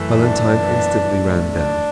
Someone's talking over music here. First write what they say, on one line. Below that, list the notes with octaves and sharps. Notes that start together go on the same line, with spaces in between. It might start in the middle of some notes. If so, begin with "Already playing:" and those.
Valentine instantly ran down.
Already playing: F#2 E3 A3
D4
F#2 E3 B3
A2 A3
D4